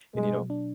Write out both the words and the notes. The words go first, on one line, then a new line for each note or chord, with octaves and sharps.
and, you know
B2 G#3
F#3
D4